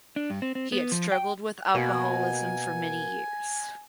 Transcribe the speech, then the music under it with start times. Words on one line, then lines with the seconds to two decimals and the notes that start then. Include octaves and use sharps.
He had struggled with alcoholism for many years.
0.16 D4
0.30 G2
0.42 C4
0.55 C4
0.72 B3
0.92 F3
1.12 G5
1.74 B2 A#3 F#4 A#4 G#5